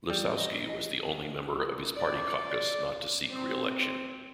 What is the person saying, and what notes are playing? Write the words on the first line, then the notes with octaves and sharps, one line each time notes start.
Lisowsky was the only member of his party caucus not to seek re-election.
G3
D#5
D5
C4